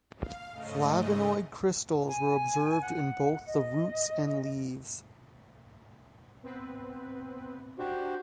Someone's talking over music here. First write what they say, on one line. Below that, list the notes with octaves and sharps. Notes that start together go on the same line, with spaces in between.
Flavonoid crystals were observed in both the roots and leaves.
F5
G#2 C#3 A3 D#5
G#5
F#5
D#5
B3 C4 B4
D4 F#4 G4 C5